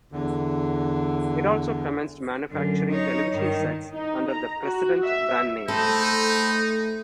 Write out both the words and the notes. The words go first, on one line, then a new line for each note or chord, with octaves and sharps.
It also commenced manufacturing television sets under the Precedent brand name.
E2 D3
F#2 D3
D#4 C#5
G2 D#3
D#4
A#5
F#4
E5
A3 D#4 A4 C5 G5 B5